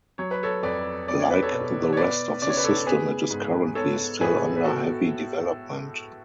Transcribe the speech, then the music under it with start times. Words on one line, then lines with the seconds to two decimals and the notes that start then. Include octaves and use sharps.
Like the rest of the system it is currently still under heavy development.
0.18 F#3 C#5
0.31 B4
0.43 A4 C#5
0.63 F2 B4 D5
1.07 B3 D5
1.19 C#5
1.30 B4
1.43 A4 C#5
1.52 B2
1.93 C#5
1.97 B3 B4 D5
2.42 C#3 D5
2.49 C#5
2.57 B4
2.64 A4 C#5
2.86 B3 G#4 B4
3.31 G#2
3.75 B3 A4 C#5
4.20 A2 G#4 B4
4.56 B4
4.65 B3 F#4 A4